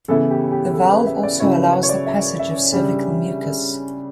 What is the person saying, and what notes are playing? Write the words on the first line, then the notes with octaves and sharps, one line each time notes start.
The valve also allows the passage of cervical mucus.
C#3 E3 B3 E4 A4
G4
G4
A4
B4
E5
D5
C#3 F#3 C#4 E4 C#5
B4
C#5
C#5
D5
E5
E5
C#3 G3 D4